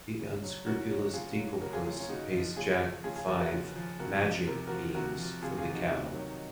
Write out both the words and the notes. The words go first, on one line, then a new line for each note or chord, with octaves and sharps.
The unscrupulous Dinklepuss pays Jack five "magic" beans for the cow.
C#3
F#3
C#3 F#4 A#4
F#3
C#3 F4 G#4
F#3
C#3 F#4 A#4
F4 G#4
F#3 F4 G#4
C#4 F4
C#3 D#4 F#4
F3
C#3 F4 G#4
F3
C#3 F4 G#4
F4 G#4
F3 F#4 A#4
F#4 A#4
C#3
F3
C3 F#4 A#4
F3
C3 A#4
F3 F#4 A#4
C3 F#4 A#4
F3
C3 F4 G#4
F4 G#4
F3
D#4 F#4
C3
D#3 F#3